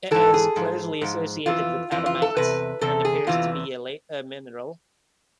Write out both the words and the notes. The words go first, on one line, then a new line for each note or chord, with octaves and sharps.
It is closely associated with adamite, and appears to be a later mineral.
G#2 E3 A4
G#4
G#2 F3
G#2 F3
F2 E3 F4
F2 E3 F4
F4
A4
E2 C3 B4
E2 C3 A4
G#4
E2 C3 E3 F4